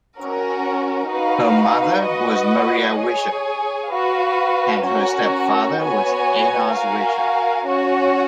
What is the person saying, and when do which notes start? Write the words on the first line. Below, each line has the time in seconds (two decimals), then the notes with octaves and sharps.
Her mother was Maria Wicher and her stepfather was Enos Wicher.
0.16 C#4 F#4 A#4
1.09 D#4 F#4 B4 F5
2.04 F#4 B4 D#5 F#5
2.97 G#4 C#5 G#5
3.91 F#4 B4 F5
4.85 C#4 F#4 A#4 C#5
5.79 B3 F#4 C#5 G#5
6.72 F#4 A#4 F5 G#5
7.66 C#4 F#4 C#5 F#5